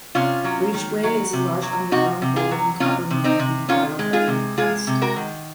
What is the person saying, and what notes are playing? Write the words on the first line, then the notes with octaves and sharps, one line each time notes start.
Ridgeway is a large underground gold and copper mine being developed by Newcrest.
C3 C#4 F4
F#3
D#3
F#3
C3
F#3
C3 D#4 F#4
C3
F4 G#4
F#3
C3 C#4 F4
C3
C4 D#4
C3
D#3 C#4 F4
G#3
F4 G#4
C3
G#3 F4 G#4
C3
F#4 A#4
D#3